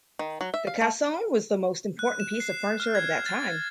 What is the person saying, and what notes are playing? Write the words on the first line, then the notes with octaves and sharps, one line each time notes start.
The cassone was the most important piece of furniture of that time.
D#3
F#3
E5
F5
A3
F#6
E7
C7
F6
G#6
A6